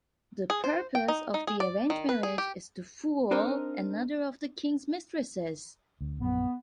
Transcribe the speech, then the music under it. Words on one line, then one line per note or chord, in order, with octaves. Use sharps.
The purpose of the arranged marriage is to fool another of the King's mistresses.
G#4
C5
G5
D#4
D#4
G#4
D5
D#3
B4
G#4
G4
C4 D4 D#4 A#4 C5 D#5
D2
A#1 F#2 B3